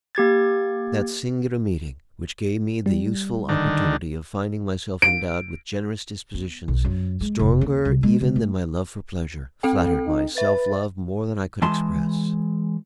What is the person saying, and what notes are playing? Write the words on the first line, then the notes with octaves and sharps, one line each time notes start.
That singular meeting, which gave me the useful opportunity of finding myself endowed with generous dispositions, stronger even than my love for pleasure, flattered my self-love more than I could express.
A#3 G4 G#6 A6
G3
D3 D#3
D7
B3
B1
F#2
G#3
F1
D#2
C2
G#3
C#3
A3
C4 A4 G5
D#4
B4 E5 A6
E3 G#3 A5 C6